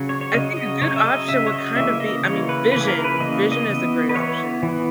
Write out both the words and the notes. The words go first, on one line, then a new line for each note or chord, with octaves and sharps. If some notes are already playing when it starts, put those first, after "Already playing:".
I think a good option would kinda be I mean, Vision Vision is a great option.
Already playing: C#3 F#3 C#4
C#5
C#5
C#3 F#3 C#4 D#5
D#5
C#3 F#3 C#4 C#5
E5
D#5
C#3 F#3 C#4 E5
C#5
D#5
C#3 E3 A#3 C#4 E5
D#5
C#3 E3 A#3 C#4 C#5
B4
C#3 E3 A#3 C#4 B4
G#4
A#4
B4
C#3 E3 A#3 C#4 D#5
D#5
E3 B3
B4
E3 B3 C#5
E3
B3